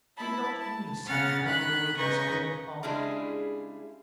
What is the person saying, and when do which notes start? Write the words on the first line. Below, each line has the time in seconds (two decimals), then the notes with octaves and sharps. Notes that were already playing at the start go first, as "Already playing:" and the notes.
Did not Ulysses wrangle with his own heart?
0.16 E4 A5 B5
0.60 A5
1.05 C#3 F#5 F6 A6
1.44 D#3 B5 F#6
1.96 C#3 B4 D#5 A#5 C#6 G6
2.83 C#3 G3 G#3 D4 E4 G#4